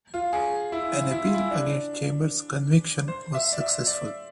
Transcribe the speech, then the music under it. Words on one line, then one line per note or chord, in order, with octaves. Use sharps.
An appeal against Chambers' conviction was successful.
F4
G#4
E4
E4
F4
E4
D4
C5
E5
D5
E5
D5